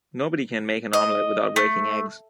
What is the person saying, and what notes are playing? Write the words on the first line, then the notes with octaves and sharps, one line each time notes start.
Nobody can make an omelette without breaking eggs.
D#5
A3